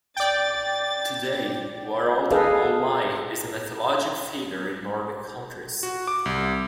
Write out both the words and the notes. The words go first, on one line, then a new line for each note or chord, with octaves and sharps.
Today Waralden Olmai is a mythologic figure in Nordic countries.
D5 G5 A6
G#4 A4 B4 D#5 F5
F#4
D6
C2